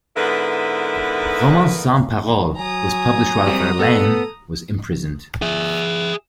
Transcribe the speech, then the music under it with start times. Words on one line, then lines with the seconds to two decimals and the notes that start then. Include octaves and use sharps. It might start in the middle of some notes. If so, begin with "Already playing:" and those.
"Romances sans paroles" was published while Verlaine was imprisoned.
0.17 G#2 D3 B3 E4 A#4 B4
2.57 F#3 G#5 A#5 D#6
3.47 G3 C4
3.79 B3 A4
5.42 G#4 E5